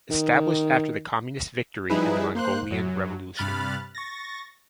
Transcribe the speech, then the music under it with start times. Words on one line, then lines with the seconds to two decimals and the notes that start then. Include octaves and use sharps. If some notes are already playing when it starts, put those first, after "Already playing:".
Established after the communist victory in the Mongolian Revolution.
0.11 D#3
1.90 F3 G3 D#4 E4 G#4 B4
2.35 A#3 C5 C6 F#6
2.70 F#2 F#3
3.37 G2 C3 B5 F6 F#6 A6
3.95 C#6 A6 A#6